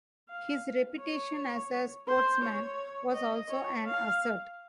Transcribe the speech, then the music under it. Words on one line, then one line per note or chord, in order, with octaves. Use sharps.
His reputation as a sportsman was also an asset.
F5
C#5
C5
C#5
D#5
C#5
F5